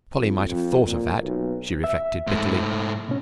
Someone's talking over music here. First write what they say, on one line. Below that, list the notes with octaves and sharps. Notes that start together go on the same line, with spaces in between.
Polly might have thought of that, she reflected, bitterly.
F2
F2
A#2
B1
E5
G#2 A3
B2 C#4